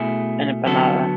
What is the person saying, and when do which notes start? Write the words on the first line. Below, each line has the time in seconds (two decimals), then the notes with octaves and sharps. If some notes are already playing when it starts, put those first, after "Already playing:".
an empanada?
Already playing: B2 A3 E4 G#4
0.66 D3 F#3 B3 F#4 A4